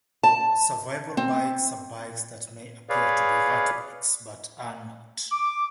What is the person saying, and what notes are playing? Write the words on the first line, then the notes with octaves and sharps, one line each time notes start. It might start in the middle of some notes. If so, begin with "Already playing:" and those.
Survival bikes are bikes that may appear to be rat bikes, but are not.
A5
C4
G#4 B4 C#5 D5 F5
D6